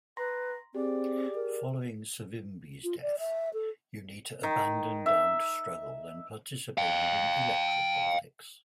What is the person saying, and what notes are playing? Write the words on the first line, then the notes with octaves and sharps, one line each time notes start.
Following Savimbi's death, Unita abandoned armed struggle and participated in electoral politics.
B4 A#5 C6 A#6
C4 G4 G#4 D5
A#4
F4
D5
E5
A4
D#3
E5
F5 G5